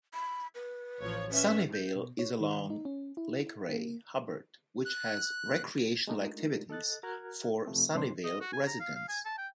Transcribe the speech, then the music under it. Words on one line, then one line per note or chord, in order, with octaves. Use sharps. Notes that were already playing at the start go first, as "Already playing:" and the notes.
Sunnyvale is along Lake Ray Hubbard, which has recreational activities for Sunnyvale residents.
B5
B4
A1 F3 C#5
C#4 B4 E5
G6
B2
C#5
D#3
D#4
C#4
E4
A#3
F#6
G#3 A3 D4 D#4 F4 A#4
A4 D#5 F#6 A6
F#4 A#4 A#5 F6 F#6 G#6
C3 F3 A3 C4
G#2 C3 G3 D4 C5 C6
D#5
F#4
G#5
A#5
F5
F5
G#5
A5
G5